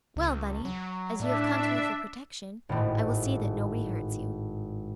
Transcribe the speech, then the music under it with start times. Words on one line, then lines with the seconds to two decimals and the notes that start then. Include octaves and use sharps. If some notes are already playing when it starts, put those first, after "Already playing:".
"Well, bunny, as you have come to me for protection I will see that nobody hurts you."
0.16 C#2
0.65 F#3
1.20 A2 D4 E5
2.69 G#1 A2